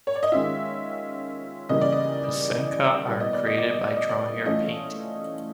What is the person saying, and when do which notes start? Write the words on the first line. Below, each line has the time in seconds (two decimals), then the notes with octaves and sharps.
Pacenka are created by drawing or painting.
0.07 C#5
0.15 D5
0.23 D#5
0.32 D#3 G#3 C#4 F4 E5
1.69 C#3 E3 G3 A#3 D#5
1.81 D5
1.92 D#5
3.07 B2 G3 B3 E4 D5
3.20 D#5
3.33 D5
3.46 D#5
3.58 D5
3.71 D#5
3.84 D5
3.96 D#5
4.09 D5
4.46 E3 A3 C#4 F4 D#5